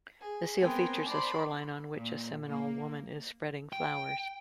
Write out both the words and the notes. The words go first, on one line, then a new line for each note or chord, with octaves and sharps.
The seal features a shoreline on which a Seminole woman is spreading flowers.
G#4
B3 C4 A#4 G5 G#5
C5 D5 A5 B5 C6
A#2
A#3
G5